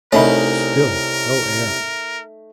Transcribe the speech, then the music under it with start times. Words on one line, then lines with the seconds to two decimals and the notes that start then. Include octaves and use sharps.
Still no air.
0.12 C2 A3 C#4 D#4 A#4 C#5 E5 B5